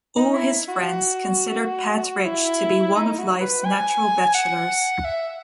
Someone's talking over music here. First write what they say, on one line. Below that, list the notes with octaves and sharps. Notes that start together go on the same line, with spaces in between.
All his friends considered Pett Ridge to be one of life's natural bachelors.
D#4
E4
F#4
E4
D#4
F#4
B4
G#5
F#5
E5